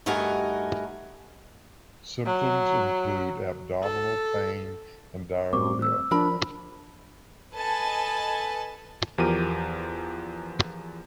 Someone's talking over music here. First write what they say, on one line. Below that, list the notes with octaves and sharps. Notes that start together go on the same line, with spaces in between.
Symptoms include abdominal pain and diarrhea.
G2 A3 D#4 F#4 A#4 G#5
F#3
A4
A2 G3 C4 C#6 D6
E6
F3 D4 A#4 B5
A4 B4 D#5 G#5 A5
E2 F3 G4 A#4 D#7